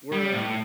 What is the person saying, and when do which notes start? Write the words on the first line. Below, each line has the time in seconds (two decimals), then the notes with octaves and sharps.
we're, uh,
0.12 G3
0.33 A2